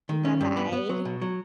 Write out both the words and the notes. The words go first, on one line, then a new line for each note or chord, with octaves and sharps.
M Bye-bye.
D#3
C#4
G2
B3
B3
F#3
B2
F#3